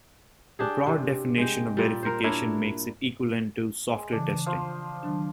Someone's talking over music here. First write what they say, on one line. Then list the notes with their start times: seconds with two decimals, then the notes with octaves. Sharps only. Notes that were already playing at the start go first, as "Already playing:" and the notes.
A broad definition of verification makes it equivalent to software testing.
0.59 D4 G4 G#4
0.86 C3
1.38 G#3 G5
1.77 A#2 G3
2.03 A#4 C5
2.24 D4 E4 A#4 C#5
3.91 G#3
4.12 C#3 E3 D4
4.46 F3 C5
5.03 D#3 F#3 D4